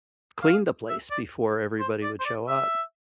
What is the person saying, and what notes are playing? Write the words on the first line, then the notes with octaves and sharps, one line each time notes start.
clean the place before everybody would show up.
F5
E5
D5
C5
D5
C5
D5
E5